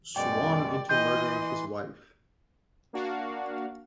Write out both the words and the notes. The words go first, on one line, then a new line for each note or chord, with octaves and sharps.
Swann into murdering his wife.
F#2 B2 G#3 D5 G5
E3 D#5 C6 G6
A#3 D4 F#4 F5